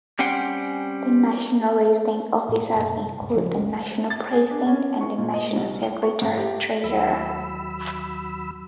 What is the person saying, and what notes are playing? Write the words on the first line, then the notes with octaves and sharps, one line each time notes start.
The national resident officers include the National President and the National Secretary-Treasurer.
G3 C4 C#4 C5 F#5 G5
A2 A#3
F#2 B2
G2 C3
C#2 G2 C3
A1 C#3 F3 F#3
F#1 C#2 A3 C#4
A6
G#4
D4
C#4
C#6
A#2
D#5
C2
G7
C#6
G#2
G4
D#2 F#3 B5 E6